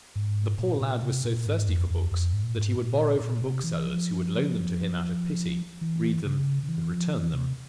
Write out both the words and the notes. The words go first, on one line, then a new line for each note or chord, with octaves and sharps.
The poor lad was so thirsty for books that he would borrow from booksellers who would loan them to him out of pity, read them and return them.
G#2
A#2
A#2
C3
A#2
G#2
F2
F2
F2
G#2
A#2
G#2
A#2
A#2
C3
E3
F3
E3
C#3
C#3
E3
F3
E3
C3